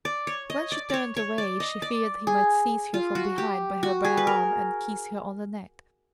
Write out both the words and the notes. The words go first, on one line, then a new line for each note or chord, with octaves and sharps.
When she turned away she feared he might seize her from behind by her bare arm and kiss her on the neck.
D5
C#5
D#5
D5
C#5 D5
C#5
D5
D#5
D5
G#4
F4
F#4
G4
F#4
G#4
B4
A#4